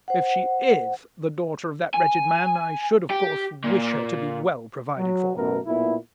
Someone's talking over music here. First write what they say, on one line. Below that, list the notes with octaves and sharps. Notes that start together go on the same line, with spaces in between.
If she is the daughter of that wretched man, I should, of course, wish her to be well provided for.
C5 F#5
G#5
G4
A#2
F#3
A1 F#2 B2 A3 B3 A#4
B1 A#2 B3 E4